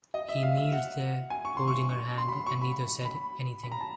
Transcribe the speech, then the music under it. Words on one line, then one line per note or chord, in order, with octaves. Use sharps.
He kneeled there, holding her hand, and neither said anything.
D#5
E5
F5
E5
F#5
G#5
C#6
C6
C#6
C#6
C6
B5
C6
C#6
B5
B5
B5
A#5
A5